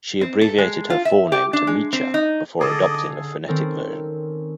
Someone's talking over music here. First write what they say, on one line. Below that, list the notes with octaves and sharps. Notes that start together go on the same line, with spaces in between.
She abbreviated her forename to Micha, before adopting a "phonetic version".
C4
A4
G#3
F4
E5
G4
D4
G#3
C4
D#4
D3 G#4 A4 D5 D#5
D#3 C4 C#4 A4 A#4